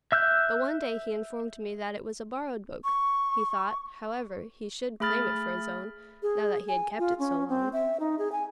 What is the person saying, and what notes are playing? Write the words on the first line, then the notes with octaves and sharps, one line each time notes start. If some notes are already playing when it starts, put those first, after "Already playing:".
But one day he informed me that it was a borrowed book; he thought, however, he should claim it for his own, now that he had kept it so long.
E5 E6 F#6 G6
C#6
A3 G#4 B5 F6 A6
G#4
G#5
F4
C#4
C4
E5
D#4
G#4
G#5